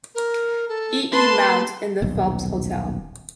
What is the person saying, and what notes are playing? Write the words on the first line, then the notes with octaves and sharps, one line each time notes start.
E. E. Mount in the Phelps Hotel.
A#4
A4
A#3 B4 A5 C6
D#1 B1